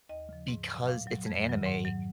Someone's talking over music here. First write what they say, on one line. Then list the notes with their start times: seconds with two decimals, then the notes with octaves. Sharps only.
because it's an anime,
0.09 D#2 D#5
0.29 C#3 F3
0.48 G#2
0.68 F#3
0.87 A#2 F5
1.07 F#3
1.26 F2
1.46 D#3 F#3
1.65 G#2 F#5
1.85 F#3